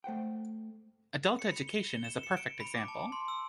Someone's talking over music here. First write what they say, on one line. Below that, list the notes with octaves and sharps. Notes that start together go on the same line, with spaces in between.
'Adult Education' is a perfect example.
A3 C5 F#5 G5
C#7
B5
G7
G7
E7
C#7
D7
B5
D6
A5
C6
E6